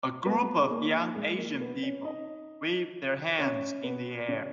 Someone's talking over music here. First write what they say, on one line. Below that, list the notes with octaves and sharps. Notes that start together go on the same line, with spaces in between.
A group of young Asian people wave their hands in the air.
B3 B4
G#4
A#3 A#4
G#3 G#4
A#3 A#4
B3 B4
C#4 C#5
D#4 D#5
C#4 C#5
B3 B4
C#3 C#4